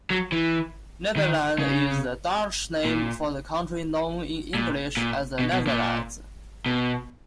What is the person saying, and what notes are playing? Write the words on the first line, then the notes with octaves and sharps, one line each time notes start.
Nederland is the Dutch name for the country known in English as the Netherlands.
F#3
E3
D#3
C#3
A#2
A#2
A#2
B2
B2
A#2
B2